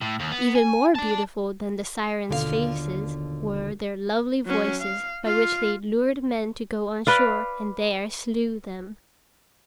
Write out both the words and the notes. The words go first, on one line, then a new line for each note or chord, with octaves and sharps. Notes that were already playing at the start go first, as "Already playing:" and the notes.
Even more beautiful than the Sirens' faces were their lovely voices by which they lured men to go on shore and there slew them.
A2
D#2
B3
G#5
D5 A5
D#2 B2 D3 F4 A#4 F5
F#3 C#4
F5
F4 F5
B4 D5 F5